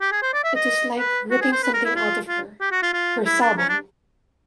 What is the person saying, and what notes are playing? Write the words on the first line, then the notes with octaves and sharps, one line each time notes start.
It was like ripping something out of her, her sobbing.
G4
G#4
C5
D5
E5
D#5
B4
F#4
G#4
C5
B4
A#4
E4
F4
F4
G4
F#4
F4
F4
E4
D4
C#4
D4